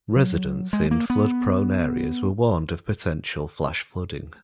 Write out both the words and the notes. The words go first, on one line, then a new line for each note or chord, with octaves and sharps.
Residents in flood-prone areas were warned of potential flash flooding.
F#3
G#3
A#3
B3